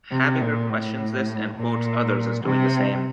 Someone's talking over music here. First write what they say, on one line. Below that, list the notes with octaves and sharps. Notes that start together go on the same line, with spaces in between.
Habegger questions this and quotes others as doing the same.
C3
A#2
A2
A#2
C3